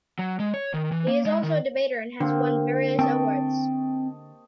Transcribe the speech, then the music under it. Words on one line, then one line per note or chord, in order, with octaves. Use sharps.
He is also a debater and has won various awards.
F#3
G#3
C#5
D#3
E3
A#3
G#3
D#3
D3 A#3 C4 G4
C4 D#5 G5 A5 C#6